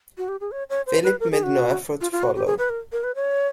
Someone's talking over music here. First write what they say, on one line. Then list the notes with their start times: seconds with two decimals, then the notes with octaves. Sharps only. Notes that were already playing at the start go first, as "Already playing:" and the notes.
Philip made no effort to follow.
0.18 F#4
0.28 G4
0.40 G#4
0.51 C#5
0.70 C#5
0.86 C5
1.04 B4
1.20 A#4
1.32 G#4
1.43 F#4
2.01 F4
2.12 F4
2.23 F#4
2.36 G4
2.46 G#4
2.58 B4
2.69 A#4
2.92 A#4
3.04 B4
3.15 C#5